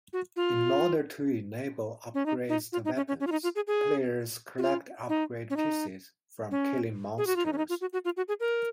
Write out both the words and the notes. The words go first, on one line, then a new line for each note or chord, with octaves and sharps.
In order to enable upgrades the weapons, players collect upgrade pieces from killing monsters.
F#4
F4
C#4
D#4
D#4
F4
D#4
C#4
C#4
C#4
F4
D#4
F4
G#4
G#4
F#4
F4
D#4
C#4
D#4
C#4
G#4
F#4
F4
D#4
C#4
D#4
F4
F#4
F#4
F4
F#4
G#4
A#4